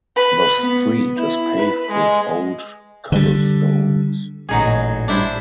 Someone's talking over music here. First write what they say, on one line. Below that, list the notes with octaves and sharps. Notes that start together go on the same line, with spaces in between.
The street is paved with old cobblestones.
B4
B3
E4
B4
G#3
D3 G3
A1 A#2 F#3 D#4 G#4
G3 D4 E4 C5